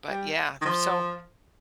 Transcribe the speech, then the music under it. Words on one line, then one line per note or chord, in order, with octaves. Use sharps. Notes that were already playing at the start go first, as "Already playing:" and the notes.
but yeah, so
G3
D#3
F3